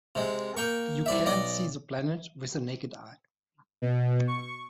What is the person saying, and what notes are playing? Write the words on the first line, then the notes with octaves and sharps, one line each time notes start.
You can't see the planet with the naked eye.
C3 G#3
A#3 G5 C#6
C2 D5 E5
B1 D5 D#5 D6
B2
C#6